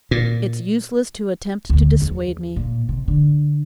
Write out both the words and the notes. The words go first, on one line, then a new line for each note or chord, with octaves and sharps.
'It's useless to attempt to dissuade me.'
A#2
D2 B2
E2
A#2
C3
D3